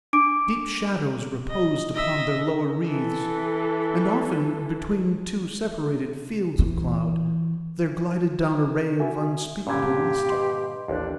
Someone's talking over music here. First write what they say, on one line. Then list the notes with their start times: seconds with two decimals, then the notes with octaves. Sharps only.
Deep shadows reposed upon their lower wreaths; and often, between two separated fields of cloud, there glided down a ray of unspeakable lustre.
0.13 D4 D6 D7
1.49 D#5
1.94 D#5 E5
2.85 E3 A4
6.59 E3
9.00 F#4 E5 G#5
9.67 G2 A#2 D3 C#4 G4 G#6
10.30 B4 D#5 C6
10.88 A1 D#2 D4